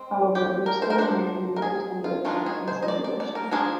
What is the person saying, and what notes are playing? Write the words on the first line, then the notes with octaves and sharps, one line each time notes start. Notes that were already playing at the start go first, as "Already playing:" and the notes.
However, most still remain in legal tender and are in circulation.
Already playing: G#3 C4
G4
A#4
C5
A#4
F3 A#3 D4 C5
A#4
G#4
F4
D#3 G#3 D4 F4
G#4
C5
D#5
D5
D5
D5
A#4
F3 A#3 D4 G#4